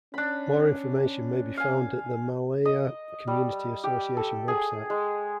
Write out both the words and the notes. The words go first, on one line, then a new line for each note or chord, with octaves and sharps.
More information may be found at the Maalaea Community Association web site.
C#4 D4 B5
F5 G#5
D#5
G3
G4
A4
G#4
G#3